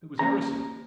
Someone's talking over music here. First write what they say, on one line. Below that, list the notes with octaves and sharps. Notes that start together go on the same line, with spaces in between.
It was heresy.
A#3 C#4 A#5